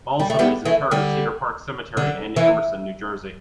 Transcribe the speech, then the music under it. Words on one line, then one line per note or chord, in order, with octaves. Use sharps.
Balsam is interred at Cedar Park Cemetery, in Emerson, New Jersey.
G3
A3
G3 B3
E3 A3
D3 G3
D3
E3